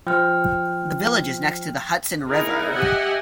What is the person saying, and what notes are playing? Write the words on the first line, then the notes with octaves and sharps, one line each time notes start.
The village is next to the Hudson River.
F3 C5 G5 F6
D#4 E4 G#4 A#4
G4 D#5 E5 F#5 G#5